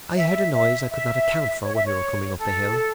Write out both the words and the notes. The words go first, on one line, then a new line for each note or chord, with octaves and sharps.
"I heard a noise I could not account for when we were coming up the hill."
E5
E5
E5
C#5
E5
C#5
A4